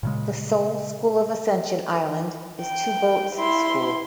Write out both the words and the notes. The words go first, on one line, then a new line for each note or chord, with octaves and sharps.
The sole school of Ascension Island is Two Boats School.
A#2 C#3 G#3
G5
E4 C6